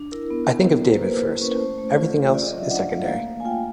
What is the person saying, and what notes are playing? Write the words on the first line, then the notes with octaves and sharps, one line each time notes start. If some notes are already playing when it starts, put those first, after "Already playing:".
I have to think of David first, everything else is secondary.
Already playing: D4
E4 A#4
B3
B3
E4
A#3 C5
B4
A#3 A#4
B4
E4
C#4
A3 C5
A3
F4
C#4
F4 D5
D#5
F#3
E5
D4 F#5
F5
A3 E5
A#3 F5
A#3
G#5
F4 G5